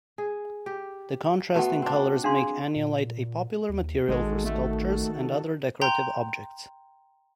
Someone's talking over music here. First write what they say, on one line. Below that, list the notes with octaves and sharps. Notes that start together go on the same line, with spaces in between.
The contrasting colours make anyolite a popular material for sculptures and other decorative objects.
G#4
G4
A3 B3 F#4 F#5
C4 D4
D4 G#4 F5 C6
A#2
D#2
A1 D#3 G#3 F#4 A4
A3
G5 A#5 C6 G6